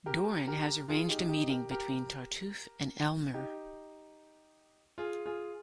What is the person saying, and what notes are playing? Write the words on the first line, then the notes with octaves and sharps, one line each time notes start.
Dorine has arranged a meeting between Tartuffe and Elmire.
G4 A#4
G4 A#4
F4 G#4
D#4 G4
D#4 G4
G4 A#4
G4 A#4
D#4 G4
F4 G#4
F4 G#4